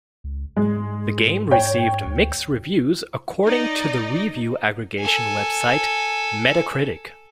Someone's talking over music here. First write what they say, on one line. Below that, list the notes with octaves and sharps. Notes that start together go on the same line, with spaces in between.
The game received "mixed" reviews according to the review aggregation website Metacritic.
C#2
G#2 G#3
C#5 G5
D2
D#4 D5 D#5
A4 G#5